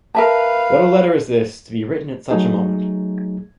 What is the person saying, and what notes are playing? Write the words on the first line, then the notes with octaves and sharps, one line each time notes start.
What a letter is this, to be written at such a moment!
A#4 B4 E5 F5 A5
F#3 A3 D#4 G#4